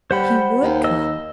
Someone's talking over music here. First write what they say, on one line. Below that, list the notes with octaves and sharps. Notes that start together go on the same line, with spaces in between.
He would come!
G3 C5 F#5 B5
D#2
D#5 E6